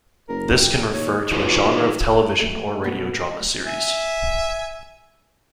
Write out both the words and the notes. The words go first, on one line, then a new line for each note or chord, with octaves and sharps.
This can refer to a genre of television or radio drama series.
F#1 A#4
G4
D#2 C#5
D#4 F4 F#4 G#4 B4 C#5
A3
B2
D2
E5 G#5